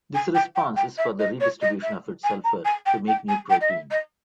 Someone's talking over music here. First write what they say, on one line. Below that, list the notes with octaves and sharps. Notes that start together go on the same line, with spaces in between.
This response is for the redistribution of its sulfur to make new protein.
G#5
G5
G5
G5
E5
D#5
C#5
D#5
E5
G#5
A#5
G#5
G5
G5
G#5
G5
D#5
E5
D#5